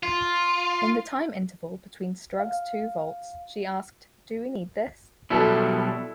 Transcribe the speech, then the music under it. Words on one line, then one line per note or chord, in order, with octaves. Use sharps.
In the time interval between Strug's two vaults, she asked, Do we need this?
F4
F5
B2 F#3 G3 E4 A4